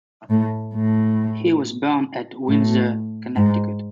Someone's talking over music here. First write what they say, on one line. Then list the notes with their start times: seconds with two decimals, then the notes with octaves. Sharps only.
He was born at Windsor, Connecticut.
0.30 A2
0.74 A2
2.48 A2
3.36 G#2